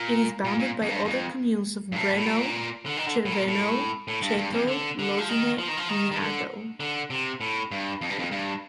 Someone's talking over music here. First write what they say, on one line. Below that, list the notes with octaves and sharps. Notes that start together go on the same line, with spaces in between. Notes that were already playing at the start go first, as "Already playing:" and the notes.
It is bounded by other communes of Breno, Cerveno, Ceto, Losine, Niardo.
Already playing: A#2
A#2
A#2
F2
G2
F2
G2
A2
A2
A#2
D3
D#3
D3
A2
A#2
A2
A2
G2
G2
F2
D3
D3
F3
D#3
F3
D#3
F3
D#3
D#3
D3
D3
C3
A2
G2
F2
G2
F2
G2